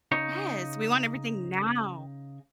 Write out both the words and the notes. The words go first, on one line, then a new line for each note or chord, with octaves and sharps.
Yes, we want everything now.
C#3 D#4 C#5